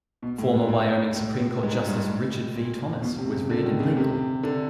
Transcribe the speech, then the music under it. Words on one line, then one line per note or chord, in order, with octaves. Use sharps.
Former Wyoming Supreme Court Justice Richard V. Thomas was reared in Lingle.
B2
A2
G#2
A2
A2
G#2
G2
A2
A#2
B2
C3
C#3
D3
D#3
C#3
C3
D3